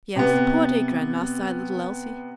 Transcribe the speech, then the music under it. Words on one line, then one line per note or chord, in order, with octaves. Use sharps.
"Yes, poor dear grandma!" sighed little Elsie.
C3 B3